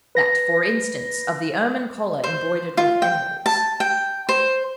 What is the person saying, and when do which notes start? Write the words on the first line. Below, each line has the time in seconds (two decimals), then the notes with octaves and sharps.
That, for instance, of the ermine collar embroidered with emeralds.
0.15 B4 A#6
2.24 C5
2.77 F4
3.02 G5
3.46 A5
3.80 G5
4.29 C5